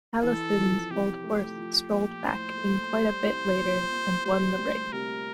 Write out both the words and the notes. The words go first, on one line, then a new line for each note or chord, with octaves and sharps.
Taliesin's old horse strolled back in quite a bit later and won the race.
E3 A4
F2
C3 G4
A3
F3
A#1
A2 C5
A3
G3
C2
A#2
A#3
G3 C5
D2
C3 A#4